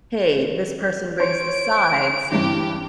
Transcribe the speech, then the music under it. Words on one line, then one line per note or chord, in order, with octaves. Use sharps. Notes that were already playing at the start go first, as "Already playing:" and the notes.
hey, this person brings the sides, and
C5 C#5 D7
G2 E3 G4